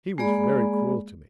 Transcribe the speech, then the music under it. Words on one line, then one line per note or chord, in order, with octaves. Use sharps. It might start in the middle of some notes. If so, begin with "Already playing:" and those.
He was very cruel to me.
G#3 A#3 G#4 D5 B5